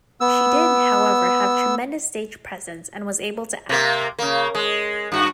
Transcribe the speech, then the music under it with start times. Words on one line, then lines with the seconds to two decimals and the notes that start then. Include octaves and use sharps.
She did, however, have tremendous stage presence and was able to act.
0.21 B3 E6
3.69 C3 A#3
4.19 C#3 A#3
4.55 G#3
5.12 G2 F#4